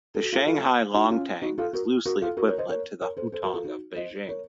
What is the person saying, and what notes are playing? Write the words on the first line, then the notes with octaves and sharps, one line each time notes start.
The Shanghai longtang is loosely equivalent to the hutong of Beijing.
A4
F#4
F4 A4
F4 A4
D#4 F#4
C#4 F4
D#4 F#4
F4 A4
F#4 A#4
F#4 A#4
F4 A4
F#4 A#4
A#4 C#5
C5 D#5
A#4 C#5
A#4 C#5
A4 C5
A4 C5
F#4 A#4
F4 A4
D#4 F#4
C5 D#5
A#4 C#5